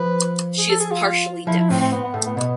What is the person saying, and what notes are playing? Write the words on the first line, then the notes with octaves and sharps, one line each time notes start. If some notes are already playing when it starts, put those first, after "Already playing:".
She is partially deaf.
Already playing: F3 B4
G#4
A4
G#4
F4
F3 E4
E4
A2 C4
C4
B3
B3
A2 A3
B3
B2 B3